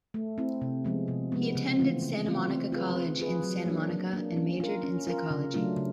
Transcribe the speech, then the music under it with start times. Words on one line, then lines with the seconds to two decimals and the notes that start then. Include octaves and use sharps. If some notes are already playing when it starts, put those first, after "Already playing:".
He attended Santa Monica College in Santa Monica and majored in Psychology.
0.14 A3
0.38 C4 E4
0.61 C3
0.85 F3 G#3 B3
1.08 C3
1.32 F3 G#3 B3
1.55 C#3
1.79 E3 A3 C4 F4
2.02 C#3
2.26 E3 A3 C4 F4
2.49 C4
2.72 F4 G#4 B4
2.96 C4
3.19 F4 G#4 B4
3.43 F#3
3.66 A#3 D4
3.90 F#3
4.13 A#3 D4
4.37 C#4
4.60 F4 A#4
4.83 C#4
5.07 F4 A#4
5.30 C#3
5.54 F#3 A3 D4 F4
5.77 C#3